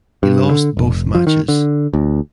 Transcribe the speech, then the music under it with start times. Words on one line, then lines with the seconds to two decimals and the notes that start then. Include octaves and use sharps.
He lost both matches.
0.23 G2
0.51 D3
0.77 F1
1.15 F3
1.27 D#3
1.48 D3
1.93 D2